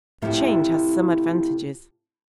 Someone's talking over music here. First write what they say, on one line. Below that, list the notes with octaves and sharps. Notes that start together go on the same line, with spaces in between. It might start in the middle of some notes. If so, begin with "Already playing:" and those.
The change has some advantages.
A2 C3 F3 C4 E4